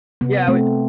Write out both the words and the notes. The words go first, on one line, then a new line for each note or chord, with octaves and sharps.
Yeah, we
C3 B3
A3 C4